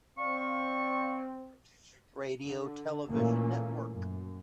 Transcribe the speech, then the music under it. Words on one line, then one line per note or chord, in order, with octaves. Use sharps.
Radio Television Network.
C4 D5 F5 C#6
D3
A#2 E3 A3 A#3 C#4
F#2